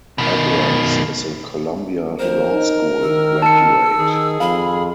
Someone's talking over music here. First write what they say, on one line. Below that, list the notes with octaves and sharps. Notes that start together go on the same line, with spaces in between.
Abrams is a Columbia Law School graduate.
B2 D#3
F2 A#4 C5
D#4
D#3 E6
A5 C#7
D#3 G#4
F2 F5 B5